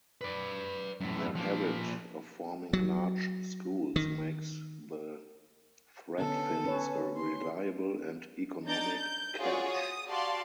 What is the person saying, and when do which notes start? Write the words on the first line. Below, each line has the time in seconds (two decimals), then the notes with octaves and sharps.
Their habit of forming large schools makes the threadfins a reliable and economic catch.
0.21 B4 D5
1.01 F#2 A2
1.35 F3 A#3
2.73 F#3
3.96 D#3
6.18 D3 B3 C#4 A4
6.64 C#4 B4 C#5
7.17 C6
8.66 D4 D#4 A#5 G6 A6 D7
8.98 G6
9.39 F4 F#4 G#4 C#5 D5
9.70 D#6
10.08 F#4 G4 D5 F5 A5 C6